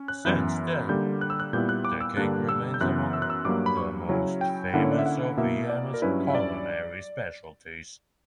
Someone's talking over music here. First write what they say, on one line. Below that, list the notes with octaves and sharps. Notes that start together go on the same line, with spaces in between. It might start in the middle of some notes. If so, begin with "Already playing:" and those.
Since then, the cake remains among the most famous of Vienna's culinary specialties.
Already playing: C#4
F#6
F#2 E3 B3 E4 F#6
D3 G3 A#3 G6
F#6
E6
F#6
A#2 G3 B3 E4 G6
F#6
D6
E6
G2 D3 G3 A#3 D4 F#6
E6
G6
F#2 E3 B3 F#6
E6
F#6
E6
G2 F#3 A#3 D6
B5
C#6
C#3 F#3 C#4 E4
G5
D3 A#3 C#4 E4 F#5
C#5
D5
E5
F#5
B2 A#3 E4 E5
D5
A#4
G2 F#3 C#4 E4 B4
E5
D5